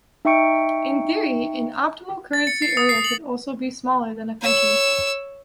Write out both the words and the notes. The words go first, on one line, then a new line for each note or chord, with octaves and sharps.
In theory, an optimal currency area could also be smaller than a country.
D#4 E5 G5 C#6 C#7 D7
A6
C#7
C7
D#6
C7
F#7
C#5 E6